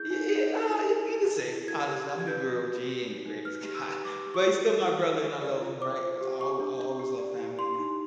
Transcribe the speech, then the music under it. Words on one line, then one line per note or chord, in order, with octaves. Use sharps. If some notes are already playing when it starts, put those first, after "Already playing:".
Y y ah, you you can say. Honestly, Imma be real with you, he ain't the greatest guy. But he's still my brother, and I love him, right? I'll al I'll always love family.
Already playing: E4 G#4 G6
D#4
D#4
A4
E4
E4
A4
E4
E4
A#4 G#6
G4
G4
G#6
B4 G6
F#4
F#4
G4
D#4
D#4
B4 F6
G4
E6
G4
B4 D6
G4
C#6
G4
G#4
E4
E4
G#4
D5
F4
C5 D6
C5
G4
G4 C#6
D4
D4
G4
D5
E4
G4 C6
D#4